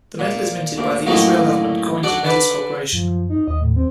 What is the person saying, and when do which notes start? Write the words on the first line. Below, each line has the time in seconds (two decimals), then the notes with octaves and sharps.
The medal is minted by the Israel Government Coins and Medals Corporation.
0.19 A#2
0.77 D2 A#2
1.06 F#2 A2 F#3 A3 A#3 D#4
2.03 F#3 D4 D5 F#5
2.23 D3 D4 B4
2.93 F#2 F3
3.30 D#4
3.48 D#2 D#5
3.61 A2
3.76 C4